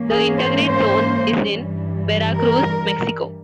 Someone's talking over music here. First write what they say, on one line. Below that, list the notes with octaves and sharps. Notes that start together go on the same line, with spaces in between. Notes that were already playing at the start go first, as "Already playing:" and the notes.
The intergrade zone is in Veracruz, Mexico.
Already playing: G#2 E3 A#3 C#4
G#4
C5
C5
G2 E3 G3
A#4